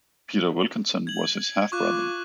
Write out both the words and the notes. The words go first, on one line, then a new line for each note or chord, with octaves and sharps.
Peter Wilkinson was his half-brother.
G#6 F#7
F4 C#6 D6 F#6